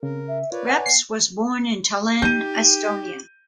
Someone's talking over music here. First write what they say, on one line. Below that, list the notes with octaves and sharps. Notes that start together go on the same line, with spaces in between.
Reps was born in Tallinn, Estonia.
C#3 C4 A#4
E5
F4 A#4 B4 C#5 D5
F#5 G#5
B3 C7
D#4 G4 G6 D#7